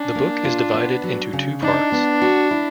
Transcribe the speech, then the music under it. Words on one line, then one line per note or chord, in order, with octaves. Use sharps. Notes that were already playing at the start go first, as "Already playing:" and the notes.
The book is divided into two parts.
Already playing: C#4 D4
A#3
F4
B3
F#3
C#3
D4 D#4
B3
F#4
E4